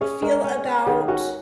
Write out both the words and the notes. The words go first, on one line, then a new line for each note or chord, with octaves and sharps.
feel about
C#4 G#4 C#5
G#3 A#4 D#5
C#4
C#4
D#3 G#4
C#4 F#4